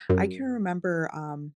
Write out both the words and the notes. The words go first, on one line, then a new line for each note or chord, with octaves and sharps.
I can remember, um,
F#2